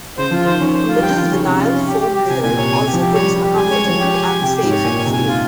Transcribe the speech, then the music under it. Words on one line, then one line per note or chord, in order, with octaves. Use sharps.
A middle vinyl foam layer also gives a comfortable and safe feel.
C#3 C5
F3 F4
D#3 C5
D#3 C#4
C5
F4
G3
G5
F3
D#3 F4
C#3 C#4
C3 C#4
F4
C#4
G4
G4
G4
C3 G#5
A#2 G#5
C3 C#5
C3 G#5
G4
F3
G4
G3 C#5
G4
G3
G4
G3 G#5
G#3
C#5
G3
F3 C#5
G4
G#5
G4
C3 G4
G4
G#2
C#5
A#2 G#5
G#5
C3
G#5
F4